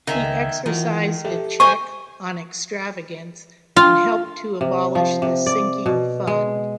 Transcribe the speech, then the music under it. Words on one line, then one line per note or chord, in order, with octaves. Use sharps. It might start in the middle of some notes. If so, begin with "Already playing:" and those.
He exercised a check on extravagance, and helped to abolish the sinking fund.
C#2 D#3 E5 F5 G#5
D#3 E3 F4 F#4
G4 A4 E5
C5 D#5 G#5 C#6
F4
C3
F3
C3
D5
B2
G#3